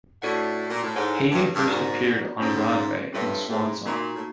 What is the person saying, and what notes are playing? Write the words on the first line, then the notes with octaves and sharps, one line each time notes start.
Hagen first appeared on Broadway in "Swan Song".
A2 D4 F#4 A4 D5 F#5
A#2
A2
G#2 E4 A4 C#5 F#5
G2
G2
G#2 B3 D#4 F#4 A#4 D5
G#2 C#4 F4 A4 C#5
G2 C4 F4 A4 C#5 E5
G#2
A#2 A#3 D#4 F#4
A2